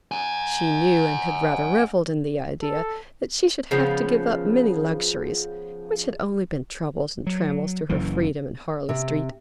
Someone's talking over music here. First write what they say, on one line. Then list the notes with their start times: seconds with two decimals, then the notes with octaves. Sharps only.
She knew, and had rather revelled in the idea, that she should have to give up many luxuries, which had only been troubles and trammels to her freedom in Harley Street.
0.12 F#5 G#5
2.63 A4
3.71 C#3 F3 B3
7.27 F#3
7.89 F#1 F#2 E3
8.89 C3